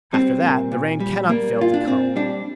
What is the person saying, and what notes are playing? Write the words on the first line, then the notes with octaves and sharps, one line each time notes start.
After that the rain cannot fail to come.
G3 C4
A#2
A#2
G3
G3 A#3
A#2 F4
D4
A#2 C4
G3 D4